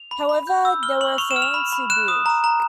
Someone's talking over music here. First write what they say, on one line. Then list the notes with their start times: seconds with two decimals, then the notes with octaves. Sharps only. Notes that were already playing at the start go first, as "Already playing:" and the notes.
However, there were fans who booed.
Already playing: F7
0.11 B5
0.29 B5
0.47 G6
0.65 E6
0.83 F6 G7
1.01 C#6 F#7
1.18 C#6 F7
1.31 E7
1.36 F6
1.42 F7
1.54 B5
1.73 B5
1.90 F#6 E7
2.08 D#6
2.26 A#5
2.44 A#5